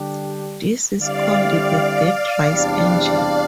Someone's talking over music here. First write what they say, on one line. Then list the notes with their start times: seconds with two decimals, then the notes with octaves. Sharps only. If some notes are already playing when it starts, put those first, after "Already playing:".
This is called the deadrise angle.
Already playing: D3 G3 D4 G4
0.99 D3 G3 C4 E4 G4 D5 F5
2.48 E2 C3 G3 D4 D5 F5